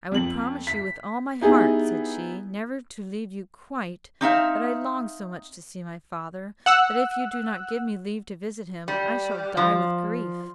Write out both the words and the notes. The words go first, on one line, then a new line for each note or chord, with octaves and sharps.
"I would promise you, with all my heart," said she, "never to leave you quite; but I long so much to see my father, that if you do not give me leave to visit him I shall die with grief."
F2 F#7
B6
B3 D#4 E4 G4 G#4
C4 D#4 E5 F5
F#5 E6 F#6
G3
F3